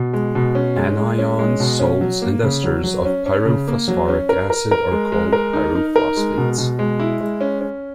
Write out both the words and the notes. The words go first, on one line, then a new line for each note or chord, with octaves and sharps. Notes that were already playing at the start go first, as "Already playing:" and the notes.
Anions, salts, and esters of pyrophosphoric acid are called pyrophosphates.
Already playing: B2
G#3
B2
C#4
G#3
G#3
C#4
G#3
B2
C#4
F#3
A#3
C#3
F#3
F#3
C#4
C#4
C#3
A#3
F#3
C#4
A#4
A#4
A#4
G#3
G#3
A#4
D#4
D#4
A#4
G#3
B2
B2
G#3
E4
G#3
C#4
C#4